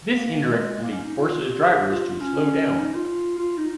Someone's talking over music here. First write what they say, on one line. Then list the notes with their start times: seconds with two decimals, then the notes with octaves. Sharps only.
This indirectly forces drivers to slow down.
0.13 A#3
0.43 G#3
0.73 G#3
0.83 A#3
0.92 C#4
1.02 D#4
1.17 F4
1.32 F4
1.41 G4
1.51 F4
1.61 G4
1.70 G#4
1.81 G4
1.91 F4
2.20 C#4
2.79 D#4
2.95 F4
3.39 F4
3.58 D#4